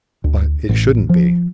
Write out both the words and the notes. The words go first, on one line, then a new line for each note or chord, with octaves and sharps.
But it shouldn't be.
D2
A1
F3